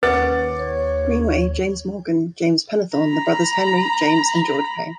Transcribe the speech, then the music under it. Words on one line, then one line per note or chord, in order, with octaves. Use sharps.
Greenway, James Morgan, James Pennethorne, the brothers Henry, James and George Pain.
D#2 C#4 B4 F#5 D6 A6
C#5
A#5 B5